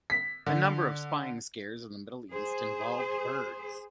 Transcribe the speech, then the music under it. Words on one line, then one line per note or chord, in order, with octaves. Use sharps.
A number of spying scares in the Middle East involved birds.
B6
D3
G#4 C5